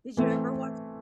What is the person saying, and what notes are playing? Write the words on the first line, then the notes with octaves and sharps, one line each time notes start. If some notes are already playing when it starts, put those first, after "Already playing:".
Did you ever watch
E3 A3 C4